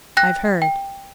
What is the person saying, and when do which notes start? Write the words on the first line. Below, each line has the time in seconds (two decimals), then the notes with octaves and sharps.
"I've heard."
0.17 G5 F#6 A#6
0.62 G5